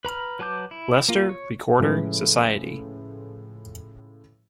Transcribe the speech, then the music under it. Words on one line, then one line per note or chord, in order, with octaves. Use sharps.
Leicester Recorder Society.
B4 A#5 B5 F6
F#3 B4 A5 D6 G6
E4
A#3 F4
C#5
A2 C#3 F3 G#3 E4 B4